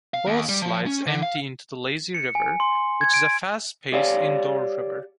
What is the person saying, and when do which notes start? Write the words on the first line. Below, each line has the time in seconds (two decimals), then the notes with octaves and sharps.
Both slides empty into the Lazy River which is a fast-paced indoor river.
0.14 F5
0.27 D#2
0.49 G3
0.62 F3
0.87 C#4
1.06 D3
1.23 F5
2.14 C#7
2.35 G#5
2.60 C6
3.01 G#6
3.14 D7
3.92 G4 C#5 D5 F5